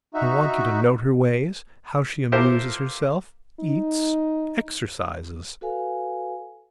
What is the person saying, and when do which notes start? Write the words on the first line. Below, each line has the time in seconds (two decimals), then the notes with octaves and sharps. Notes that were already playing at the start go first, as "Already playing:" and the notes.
I want you to note her ways, how she amuses herself, eats, exercises.
0.14 D#4 F#4 E5
2.32 E4 F4 G4 A4 A#4 C5
3.60 D#4
5.61 F#4 A4 B4 F5 G#5